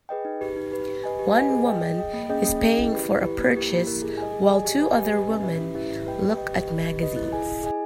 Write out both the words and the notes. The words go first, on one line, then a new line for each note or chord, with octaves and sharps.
One women is paying for a purchase while two other women look at magazines.
G#4 B4 D#5 G5
D#4
G4 B4
D#4
G4 B4
G4
B4 D#5 G#5
G4
B4 D#5 G#5
G#4
D#5 G5
G#4
D#5 G5
A#3
C#4 G#4 D#5 G5
A#3
C#4 G#4 D#5 G5
E4
G4 B4
E4
G4 B4
A#3
E4 G4 A#4
A#3
E4 G4 A#4
G#4
D#5 G#5
G#4
D#5 G#5
G4
B4 D#5 G#5
G4
B4 D#5 G#5
C#4
E4 G4 B4 E5
C#4
E4 G4 B4 E5
G4
B4 D#5 G5
G4
B4 D#5 G5
G4
B4 D#5
G4
B4 D#5
E4
G#4 D#5 G#5
E4
G#4 D#5 G#5